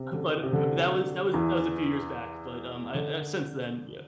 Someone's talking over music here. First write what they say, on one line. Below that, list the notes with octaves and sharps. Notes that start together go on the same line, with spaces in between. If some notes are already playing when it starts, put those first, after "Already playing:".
But that was that was that was a few years back, but, um, I I since then yeah.
Already playing: C3
D3
C3
D3
E2 E3
D3